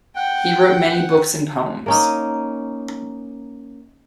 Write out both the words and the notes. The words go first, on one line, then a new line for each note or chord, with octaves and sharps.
He wrote many books and poems.
F#5 G5
A#3 C#4 D#4